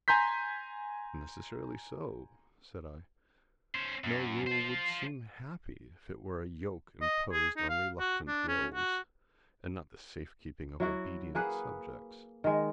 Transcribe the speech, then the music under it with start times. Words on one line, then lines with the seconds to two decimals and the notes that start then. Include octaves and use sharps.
'Necessarily so,' said I; 'no rule would seem happy if it were a yoke imposed on reluctant wills, and not the safe-keeping of obedient subjects.'
0.08 G#5 A#5 C6 G6 B6
3.75 C#4 C5
4.04 F#2
4.47 F4 C5
7.01 D#5
7.32 G#4
7.57 D#4
7.69 F5
8.00 F#4
8.28 D4
8.48 C#4
8.74 F#4
10.80 F#3 E4 F#4
11.35 A#3 G#4 B4 F#5
12.44 D#3 G#3